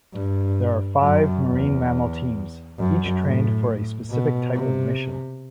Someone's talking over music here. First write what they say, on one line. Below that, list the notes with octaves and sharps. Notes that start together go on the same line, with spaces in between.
There are five marine mammal teams, each trained for a specific type of mission.
G2
F#2
E2
F#2
A2
B2
C3